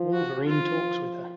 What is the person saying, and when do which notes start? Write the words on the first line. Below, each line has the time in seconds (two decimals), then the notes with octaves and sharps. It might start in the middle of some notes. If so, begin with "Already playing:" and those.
Wolverine talks with her.
Already playing: F3
0.13 F#4
0.45 F3 F4